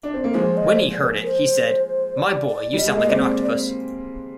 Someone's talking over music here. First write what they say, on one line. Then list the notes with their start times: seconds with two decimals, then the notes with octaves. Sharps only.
When he heard it, he said, 'My boy, you sound like an octopus.
0.03 D4
0.14 C4
0.24 A#3
0.34 F3 G#3 C5
0.57 D#5
0.74 C5
0.80 D5
1.03 A#4
1.26 C5
2.17 D5
2.48 D5
2.72 G3 D5
2.78 D#5
2.86 G#3
2.97 A#3 D#5
3.08 G#3 C4 D5